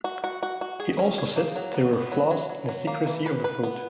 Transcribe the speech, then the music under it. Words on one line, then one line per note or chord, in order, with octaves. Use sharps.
He also said there were flaws in the secrecy of the vote.
F#4
F#4
F#4
F#4
G#4
C#4
G#4
A#3
F#3
B3
B3
F#3
F#3
F#3
F#3
A#3
E3
B4
B4
B3